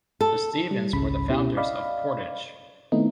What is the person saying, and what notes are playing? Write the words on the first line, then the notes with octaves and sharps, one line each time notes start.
The Stevens were the founders of Portage.
A4
G3
G#1 C#2 C#3 B5
B2 C#4 E4 G4
D5 D#5 F5 B5
D#3 A3 B3 C4 D#4 E4